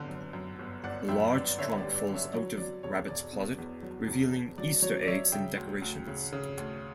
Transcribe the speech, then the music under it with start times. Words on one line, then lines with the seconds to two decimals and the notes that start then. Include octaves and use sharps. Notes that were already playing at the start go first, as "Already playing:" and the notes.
A large trunk falls out of Rabbit's closet, revealing Easter eggs and decorations.
Already playing: G1 D3
0.09 F#2
0.33 F#2
0.59 G1
0.83 G1 D5 F#5
1.09 F#2 E5 G5
1.33 G1 D5
1.48 D5
1.58 D3 C#5 E5
1.78 D5
1.83 G3
1.95 D5
2.09 D3
2.14 C#5 E5
2.33 F#3 C#5
2.58 F#3 D5
2.83 E1 C#5
3.08 E1 D5
3.33 B2
3.58 E2
3.83 F#3
4.07 E1
4.32 E1
4.58 F#3 D5
4.82 F#3 C#5
5.03 D5
5.07 F#3 C#5 E5
5.32 C#3 E5 G5
5.57 D2
5.82 D2
6.07 C#3
6.32 C#3
6.58 D2